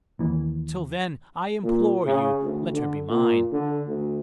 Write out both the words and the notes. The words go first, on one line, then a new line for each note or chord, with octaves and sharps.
Till then, I implore you, let her be mine.
D#2 E3
A#2
C#3
D2
D3
A#2
D3
D2